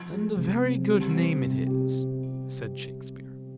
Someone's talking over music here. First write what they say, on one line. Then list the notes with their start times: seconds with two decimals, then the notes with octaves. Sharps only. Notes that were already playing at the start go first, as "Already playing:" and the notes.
"And a very good name it is," said Shakespeare.
Already playing: F3
0.10 G#3
0.36 C3
0.62 C4
0.88 G3
1.14 C4
1.40 C3
1.67 G4